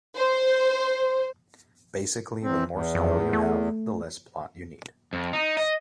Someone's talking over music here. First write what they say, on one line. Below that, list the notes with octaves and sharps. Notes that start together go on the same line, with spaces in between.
Basically, the more style you have, the less plot you need.
C5
E2 C4
E2
F2
A3
F2
D#4
D#5